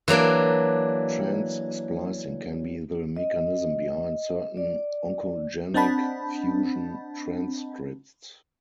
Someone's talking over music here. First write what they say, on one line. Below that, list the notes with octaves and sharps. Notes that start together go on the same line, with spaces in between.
Trans-splicing can be the mechanism behind certain oncogenic fusion transcripts.
E3 F#3 A#3 D4
D#5
D5
C4 D4 D#5 F#5 A5 B5